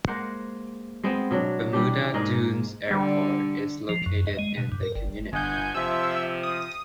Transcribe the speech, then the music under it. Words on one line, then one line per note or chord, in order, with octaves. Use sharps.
Bermuda Dunes Airport is located in the community.
G#3 A#3 C5 F#5
G#3 B3 C4
B2 F#3 D4
E3 G3 D4 G4
G#2 G#3 A#3 D#4
D3 G3
F3
F#2
D#5
G#3
B2
G2
A#4
G1
G1 D#5 F#5 G#5 G6
C3 F3 E5 E6
D#6